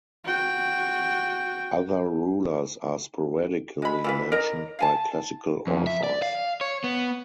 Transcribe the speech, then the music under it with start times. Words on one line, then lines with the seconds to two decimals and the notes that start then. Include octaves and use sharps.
Other rulers are sporadically mentioned by classical authors.
0.24 F#4 G5
3.82 G#3 B5
4.04 E3 F4 B4
4.32 A#4 C#5 D#5 A#5
4.79 F5 G#5 A5
5.67 F2
5.87 E5
6.03 D5
6.22 F5
6.61 C#5
6.84 B3